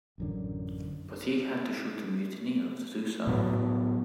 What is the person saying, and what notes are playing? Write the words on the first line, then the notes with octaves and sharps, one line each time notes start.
But he had to shoot a mutineer to do so.
A1 F#2 D3
A2 F#3 B3